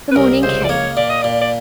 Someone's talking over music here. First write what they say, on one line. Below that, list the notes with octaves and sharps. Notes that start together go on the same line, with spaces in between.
The morning came.
B4
C2 A#4
C#2 C5
D5
A#3 C#5
A#2 D5
D#5
A#2 D5
D5